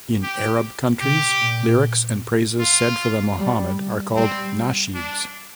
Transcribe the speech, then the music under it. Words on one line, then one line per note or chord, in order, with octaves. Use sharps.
In Arab countries, lyrics and praises said for the Muhammad are called Nasheeds.
G4
C3 G4
A#2
F4
G3
G3 C4
D4